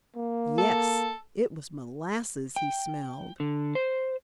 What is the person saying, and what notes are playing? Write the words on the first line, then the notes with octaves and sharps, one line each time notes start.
Yes, it was molasses he smelled!
A#3
A4
G5
D3
C5